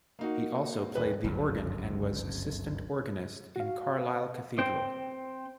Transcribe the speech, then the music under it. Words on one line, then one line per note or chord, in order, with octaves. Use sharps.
He also played the organ and was assistant organist in Carlisle Cathedral.
A#3 D#4 F#4
D#1 B4
G1 C#2 F#2
F#4 F5
C4 G5